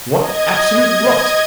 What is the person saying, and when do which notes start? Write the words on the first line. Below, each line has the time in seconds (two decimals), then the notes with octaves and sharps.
'What absolute rot!
0.17 D#5 G#6